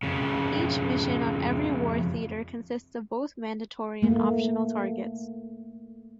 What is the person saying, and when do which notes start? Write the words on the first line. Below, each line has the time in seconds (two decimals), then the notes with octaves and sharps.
Each mission on every war theatre consists of both mandatory and optional targets.
0.03 F2 C#3
4.02 A3 A#3